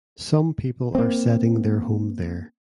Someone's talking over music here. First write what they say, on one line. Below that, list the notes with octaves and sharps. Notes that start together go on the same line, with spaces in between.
Some people are setting their home there.
A#3 C4